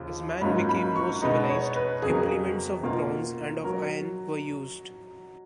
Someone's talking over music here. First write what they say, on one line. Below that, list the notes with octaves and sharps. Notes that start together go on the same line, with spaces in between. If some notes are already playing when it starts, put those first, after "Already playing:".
As man became more civilized, implements of bronze and of iron were used.
Already playing: D#2 C#3 F3
G#2 F#3 A#3 C#4 F4 B5
B5
C#6
B2 G#3 B3 D#4 B5
C#5
B4
F2 C#3 F#3 B3 G#4
A#4
G#4
B2 A#3 F4
F#3 A#4